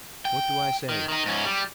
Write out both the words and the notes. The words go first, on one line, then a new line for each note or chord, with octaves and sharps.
What do I say?
G5
D#3
D#3 D#4
G#2 C#4
G3